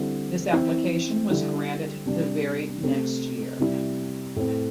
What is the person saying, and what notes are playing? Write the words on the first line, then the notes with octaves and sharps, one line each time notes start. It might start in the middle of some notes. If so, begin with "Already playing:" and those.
This application was granted the very next year.
Already playing: D3 G3 C4 E4
E3 C4 E4
D3 G3 E4
C3 G3 D4
C3 A3 C4
C3 G3 E4
A2 A3 C4